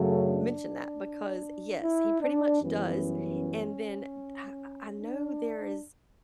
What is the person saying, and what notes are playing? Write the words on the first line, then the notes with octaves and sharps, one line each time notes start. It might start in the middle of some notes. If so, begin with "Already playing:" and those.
mention that, because yes, he pretty much does. And then h I I know there is
Already playing: F#2 C#3 F#3 A3 A4
D4
E4
D4
F#2 E3 G3 B3 C#4
D4